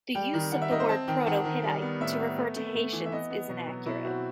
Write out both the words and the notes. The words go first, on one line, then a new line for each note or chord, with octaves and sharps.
The use of the word "Proto-Hittite" to refer to Hattians is inaccurate.
G3 G5
D#3
D#3 F#5
E5
D#3 D#5
C5
C4 A5
D#3 G5
D#3 F#5
D#3
G3
B3
A2 E5
B3
A3
A3
A3
E3
E5
B3 D#5
B3
B2
F#3
B2 E4
C4 F#4